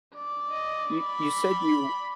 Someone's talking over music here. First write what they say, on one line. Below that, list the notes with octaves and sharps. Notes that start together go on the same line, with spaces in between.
You you said you
D5
D#5
B5